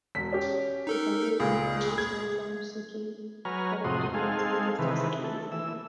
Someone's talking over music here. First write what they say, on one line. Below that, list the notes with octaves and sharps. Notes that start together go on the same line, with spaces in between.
The companies are mostly small firms seeking federal defense and domestic security funding.
E1 B6
C#4 G4
D#4 A4 A#4
C#2 A#2 G#4
G#6
F#3 B4 C#5 G#5 A#5 F6
F2 A2 C3 F#4 C6 D#6
G#3 C4 D#4 G#4 A4 F5
C3 D#3 E3 B4
A4
E3 E6